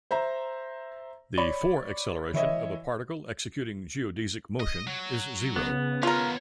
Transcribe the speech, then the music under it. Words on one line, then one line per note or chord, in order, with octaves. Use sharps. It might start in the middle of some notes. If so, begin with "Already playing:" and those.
The four-acceleration of a particle executing geodesic motion is zero.
C5 E5 A#5
C#5 D5 B5
E3 E4 C#5 D#5 E5
D#5
F#3
C#3 B3
D#2 C#4 F4 A#4